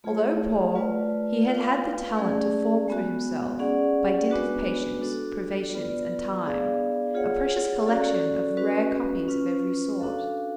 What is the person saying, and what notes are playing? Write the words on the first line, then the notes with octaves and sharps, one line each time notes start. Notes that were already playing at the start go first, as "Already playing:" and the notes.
Although poor, he had had the talent to form for himself, by dint of patience, privations, and time, a precious collection of rare copies of every sort.
A3 F4 G#4 C#5
A3 F4 B4 D5
F4 B4 F5
A3 C#4 G#4 D5
G#3 B3 F#4
C#4 G#4 D5 F#5
G#3 B3 D4 F#4 B4
D4 F#4 A4
B3 F4 B4 D5
B3 D4 G#4 D5 F5
F4 G#4 C#5 F#5
C#4 F#4 A4 D5
C#4 F#4 B4
C#4 F4 B4
D4 F#4 A4 F5